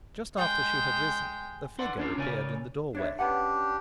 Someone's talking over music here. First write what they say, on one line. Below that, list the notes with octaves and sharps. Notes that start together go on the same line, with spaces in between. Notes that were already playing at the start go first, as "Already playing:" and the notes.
Just after she had risen, a figure appeared in the doorway.
G#3 G5
B4 D5 F#5 C6
C#4 D4 F4
C#3 A#4 C#5 D5 G#5
D4 C#5 E5
C#4 D4 G4 B4 F#5